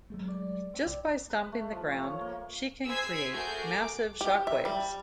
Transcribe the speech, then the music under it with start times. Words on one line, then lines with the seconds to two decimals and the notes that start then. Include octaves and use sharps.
Just by stomping the ground she can create massive shockwaves.
0.10 F#3 G#3 A3
0.28 D5
0.74 C4 D4
0.87 C2 D5
1.30 B4
1.52 A3
1.72 F3
1.91 C#6
2.04 C#5
2.21 A#3
2.85 G#4 C5 E6 G#6 B6 C7
3.32 A3 F#4 G#4 A#4 G6 C7
3.64 D6
4.21 G4
4.47 E5
4.65 G3